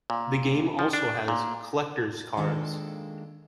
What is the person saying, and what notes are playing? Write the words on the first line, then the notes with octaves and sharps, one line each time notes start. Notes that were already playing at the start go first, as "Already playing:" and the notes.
The game also has Collector's cars.
A#2
F3
D4
A#2
D#3 G#3 A#3 D4 F4 A4